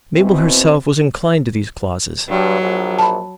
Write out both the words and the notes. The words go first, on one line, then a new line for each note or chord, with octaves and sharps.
Mabel herself was inclined to these clauses.
B2 E3 C4
G2 F#3
A#1
A5 B5